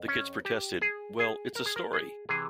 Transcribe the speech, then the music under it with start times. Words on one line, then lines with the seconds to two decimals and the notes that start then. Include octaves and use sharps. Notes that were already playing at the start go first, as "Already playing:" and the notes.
The kids protested: Well, it's a story.
Already playing: F2
0.08 C#4
0.45 G4
0.81 G#4
1.19 G#4
1.55 A#4
1.66 G#4
1.76 A#4
1.93 G#4
2.29 C3 E3 G#4